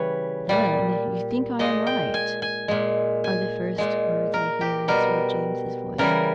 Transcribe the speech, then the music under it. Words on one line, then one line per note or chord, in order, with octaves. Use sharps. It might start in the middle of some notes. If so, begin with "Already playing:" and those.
"Then you think I am right?" are the first words I hear, in Sir James's voice.
Already playing: C#3 E3 G3 B4 C#5
A#2 G3
A#2 G#3 D#5
G5
G#5
G#5
A#2 G#3
G#5
A#2 G#3
A#4
G4
B2 G3 A#4
C#3 E3 G3 A#4